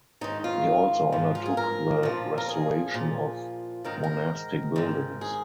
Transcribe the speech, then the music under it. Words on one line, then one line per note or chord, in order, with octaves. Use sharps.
He also undertook the restoration of monastic buildings.
G#2 D#3 D#4
F4
G#2 F3
F4
G#4
A#4
A#2 F3
A#4
G#4
A#2 F3
G#2 D#3 A#4
A#4
G#2 D#3
G#4